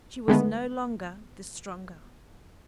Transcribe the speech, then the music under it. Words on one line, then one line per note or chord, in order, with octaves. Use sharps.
She was no longer the stronger.
D3 D#3 G#3 A3 B3